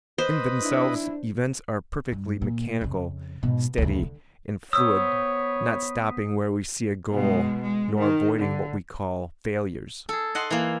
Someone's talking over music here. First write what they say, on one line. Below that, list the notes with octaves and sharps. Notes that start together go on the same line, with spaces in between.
In themselves events are perfectly mechanical, steady, and fluid, not stopping where we see a goal nor avoiding what we call failures.
B4 C5 D#5
D4 E4
G2
A#2
F2 C#3
G#2 B2
D2 C#3
D3
B3 C5 C#5 D#6 E6
B2 G#3
G#3
D#3
D3
G#4 A4
D#5 F#5 A5 C6
E3 A#3